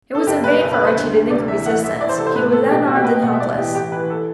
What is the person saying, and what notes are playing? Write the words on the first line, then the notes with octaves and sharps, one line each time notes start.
It was in vain for Archie to think of resistance, he was unarmed and helpless.
A4
F#1 G4
F#1 B4
B1
B4
B1
C5
D2
D2
C3 D5
E3 E5
A1 F#5
A1 E5
E3 D5
C5
C3 A4
C5
A2 B4
A2 A4
B2 G4
B2 F#4
G4
B1 B4
G5
B2 F#5
E5
A1 D5
E3 G4
A1 G4
E3 B4
A4